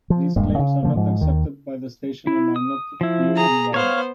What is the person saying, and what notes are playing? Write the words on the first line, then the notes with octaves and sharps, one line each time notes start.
These claims are not accepted by the station and are not peer reviewed.
F3
D#1 G2 G#3 A#3
C#3
C#3 F3 A#3
G#2 F3
D#2 D#3
E4
D#6
F3 E4
G#4 A#5
B3 C5 C#5 F5